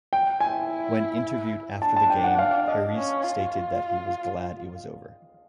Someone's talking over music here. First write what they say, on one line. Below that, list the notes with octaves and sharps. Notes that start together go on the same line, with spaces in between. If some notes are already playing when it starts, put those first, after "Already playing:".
When interviewed after the game, Parise stated that he was glad it was over.
G5
E4 G#5
D4 A5
A5
G5
F#5
F5
D#5
C#4
F4